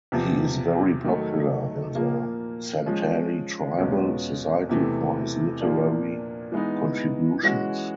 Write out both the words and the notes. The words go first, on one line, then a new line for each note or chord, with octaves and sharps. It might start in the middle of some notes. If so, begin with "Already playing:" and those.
He is very popular in the Santali tribal society for his literary contributions.
E2 C3 F3
D#3 F#3 A3
A#2 F3 A#3
F3 G#3 C#4
E2 B2 G#3 C#4 F4
E2 C3 E3 A3
A#2 F3 A#3 D4
E3 G#3 B3 D#4
E3 G#3 C#4 F#4